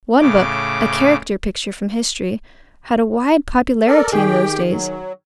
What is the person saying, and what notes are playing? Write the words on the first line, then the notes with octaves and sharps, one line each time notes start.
One book, a character-picture from history, had a wide popularity in those days.
A2 C#3 D6
A4 A#4 D5
D#3 G4 G#4 G5
F#3